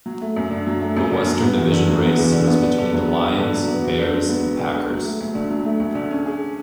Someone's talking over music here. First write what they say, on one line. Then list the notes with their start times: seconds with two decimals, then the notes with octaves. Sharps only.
The Western Division race was between the Lions, Bears and Packers.
0.06 F#3
0.21 A3
0.36 F#2
0.51 D3
0.67 F#3
0.82 A3
0.97 F#2
1.11 D3
1.26 F#3
1.42 B3
1.57 E2
1.72 D3
1.87 F#3
2.02 B3
2.18 E2
2.32 D3
2.48 B3
2.62 D4
2.78 D3
2.93 F#3
3.08 B3
3.23 D4
3.38 D3
3.54 F#3
3.68 B3
3.84 F#4
3.99 D3
4.13 G#3
4.29 B3
4.44 F#4
4.59 D3
4.74 G#3
4.90 F#3
5.04 A3
5.20 D2
5.35 D3
5.50 F#3
5.65 A3
5.80 D2
5.95 D3
6.10 C#4
6.26 G#4